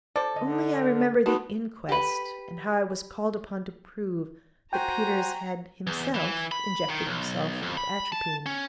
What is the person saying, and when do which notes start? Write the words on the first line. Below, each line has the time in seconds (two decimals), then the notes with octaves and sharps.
Only I remember the inquest, and how I was called upon to prove that Peters had himself injected himself with atropine.
0.16 A4 C5 D5
0.36 D3 D#5
1.26 B3 D4 D#4 F#4
1.89 G4 B4
4.73 F#4 C5 G5 G#5 A#5
5.87 E2
6.14 E3
6.52 B5
6.88 D#3
7.06 B1
7.62 F2
7.77 B5
8.12 A5
8.46 C#4